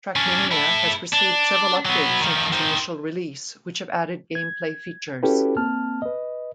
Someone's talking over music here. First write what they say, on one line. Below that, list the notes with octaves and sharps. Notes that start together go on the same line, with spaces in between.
Trackmania has received several updates since its initial release which have added gameplay features.
C#4 D4
E4 A4
D4
F#3 B3
D#3 F3
D#3 C5
G#6
C#4 E4 F#4 G4 A4 B4
A#3 C4 A5 F6
B4 D#5